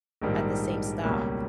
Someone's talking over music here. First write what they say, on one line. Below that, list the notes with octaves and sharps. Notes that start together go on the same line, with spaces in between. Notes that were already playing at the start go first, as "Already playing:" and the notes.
at the same stop,
A#1 G#2 D#3 G3 A#3
C#2 B2 G3 A#3 C#4